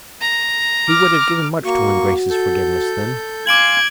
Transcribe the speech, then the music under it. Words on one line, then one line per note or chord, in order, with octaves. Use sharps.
He would have given much to win Grace's forgiveness then.
A#5
D6 F6
A#3 F#4 C#6
A4 G6
F5 G#5 C6 D6 G#6 D7 F#7